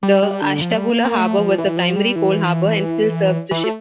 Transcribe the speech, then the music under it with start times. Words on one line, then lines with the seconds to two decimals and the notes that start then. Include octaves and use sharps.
The Ashtabula Harbor was a primary coal harbor and still serves to ship.
0.03 G3
0.22 G3
0.42 D3
0.61 F3
0.75 G3
0.90 A#3
1.05 A#3
1.19 A3
1.38 F3
1.58 E3
1.77 F3
1.96 G3
2.16 E3
3.51 E3
3.64 A3